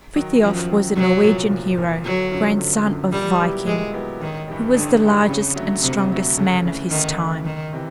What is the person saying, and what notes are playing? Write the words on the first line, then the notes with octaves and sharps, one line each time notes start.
Frithiof was a Norwegian hero, grandson of Viking, who was the largest and strongest man of his time.
D#3 F#3
F#2 F3
D#3 F#3
C2 F#3
A#2 F3
C2
A#2 F3
G1 F#3
F#2 D3 F3
G1
F#2 D3 F3
A#2 G3
F#3 B3 E4 G4
A#2 G#3
F#3 B3 E4 G4
A1 D#3
G2 E3 G3
A1 D3
G2 E3 G3
F2 C#3
D3 F#3 A3
F2 C3
D3 F#3 A3
D2 C#3
C#3 E3 A3
D2 D#3
C#3 E3 A3
F#1 D#3
C3 E3